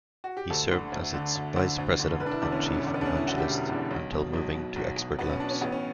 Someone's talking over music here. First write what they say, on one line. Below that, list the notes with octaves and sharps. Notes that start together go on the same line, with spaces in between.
He served as its Vice President and Chief Evangelist until moving to Expert Labs.
F#4
G4
D2 A4
D3
D2
D3
D2
D3
D2
D3
E1 B4
D4
E4
E2 D3 D4
C#4
E1
C#4
E2 D3
B3
D4
E1 C#4
E4
E2 D3 F#4
G4
E1
E2 D3
B1
B2
B1
B2
B1
B2
B1 B3
C#4
B2 D4
C#4
A1 B3
C#4